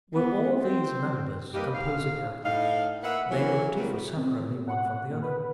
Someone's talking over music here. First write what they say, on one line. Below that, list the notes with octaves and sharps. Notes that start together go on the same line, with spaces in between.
Were all these members composing happiness, they would differ severally one from the other.
B3
C4
D#2 G3 A#3 G4 B4 D#5
G#2 F5
A2 D#4 F5
A#3 B4 E5 F#5
E3 F#3 A#3
F#3 G3 A3 C4 A#4 B4
C4
B2
F#5
A#2
B4